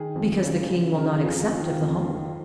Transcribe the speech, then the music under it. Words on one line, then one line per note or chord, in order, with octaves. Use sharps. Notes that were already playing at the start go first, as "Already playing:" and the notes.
"Because the king will not accept of the whole."
Already playing: D#3 G#4
F2
C#3
C#3
C#3 A#4
F4
F2 G#4
D#3 F4
F2
D#3